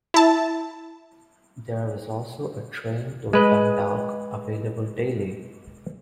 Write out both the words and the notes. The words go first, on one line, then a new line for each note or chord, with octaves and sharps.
There is also a train to Dundalk available daily.
E4 A5
G#3 B4 D#5